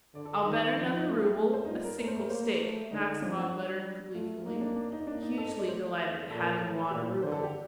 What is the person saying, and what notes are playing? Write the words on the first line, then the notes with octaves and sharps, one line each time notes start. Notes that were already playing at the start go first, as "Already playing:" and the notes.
"I'll bet another rouble, a 'single' stake," Maximov muttered gleefully, hugely delighted at having won a rouble.
D3 D5
A4
D#3 D#4
F3 D4
F4
A3 F4
G4
A3
C5
D#4
G3 F4
A#4
A3 A#4
C5
A#4
A#3 C5
A3
D3 D#4
F3 D4
D4
G3
A3 F4
A#3 D#4
D4
D4
D#4
A#3 D4
D#4
A4
D#5
D5
A3 C5
A#2 A4
A#4
A2 A4
A#2 G4
C5
D3 C5
A4
G4